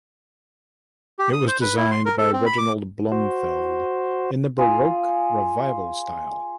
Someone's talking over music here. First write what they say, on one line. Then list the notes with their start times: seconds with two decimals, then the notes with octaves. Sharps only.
It was designed by Reginald Blomfield in the Baroque revival style.
1.19 G4
1.33 D#6
1.48 C5
1.61 B4
1.77 E4
1.91 C6
2.06 A#4
2.18 A4
2.33 C4
2.46 B5
2.58 D6
3.12 F#4 C5
4.58 F4 G#4 F5